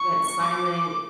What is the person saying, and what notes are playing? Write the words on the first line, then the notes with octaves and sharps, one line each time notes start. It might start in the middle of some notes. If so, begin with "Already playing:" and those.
went silent,
Already playing: C#6
D6